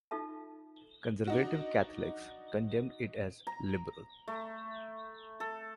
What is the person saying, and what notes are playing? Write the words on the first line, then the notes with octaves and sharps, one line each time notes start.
Conservative Catholics condemned it as "liberal".
D#4 F4 A4 E5 A5
D4 D#4 F#4
A#5
A3
A4